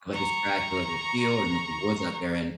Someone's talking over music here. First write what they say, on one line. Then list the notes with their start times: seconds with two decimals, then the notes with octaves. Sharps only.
like, this track where, like, there's field, and there's, like, woods out there, and,
0.13 A#5 C#6